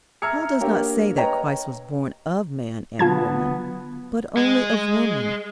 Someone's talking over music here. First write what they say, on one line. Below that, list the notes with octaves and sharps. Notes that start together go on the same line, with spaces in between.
Paul does not say that Christ was born of man and woman, but only of woman.
E5 A#5 E6 F6 G#6 C#7
A#3 D4 G4 A#4 C#5
B4 C#5 D#5 G5 A#5
D3 F#3 B3 F4 A5 G#6
G#3